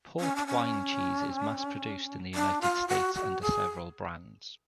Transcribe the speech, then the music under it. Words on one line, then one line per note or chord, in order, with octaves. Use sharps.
Port wine cheese is mass-produced in the United States under several brands.
C#4
D4
C#4
D4
F4
F#4
F#4
G#4